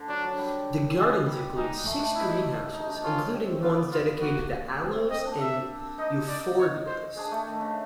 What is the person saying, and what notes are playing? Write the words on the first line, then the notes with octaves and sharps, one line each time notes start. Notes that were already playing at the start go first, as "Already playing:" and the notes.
The gardens include six greenhouses, including ones dedicated to aloes and euphorbias.
Already playing: D3
F#3 D4
F#3
G3
G#3
G3
G#3 D#4
A3
D4
D#4 E4
D#4
D4
C#4 F4
C4
B3 F4
F4
A#3 F#4
C4
C4 D#5
D4
E5
D#4 D#5
D5
C#5
C5
D4 G#4
A3
D#3
C#3